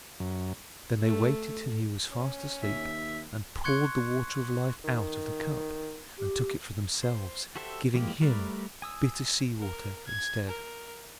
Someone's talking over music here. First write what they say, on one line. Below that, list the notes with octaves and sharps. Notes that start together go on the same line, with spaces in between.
Then they waited till he was fast asleep, and poured the Water of Life out of the cup, and took it for themselves, giving him bitter sea-water instead.
F#2
A3
C#4
D#2 E5
C6 C#6 F#6 G#6 C#7
D#3
G4
C5
F#4 G4 A4 C5 E5
E3 F3 G#3 A#3 G4
G3 A3 A#4 B4 D5
G#5 D#6 E6
A#4
G#6
A#4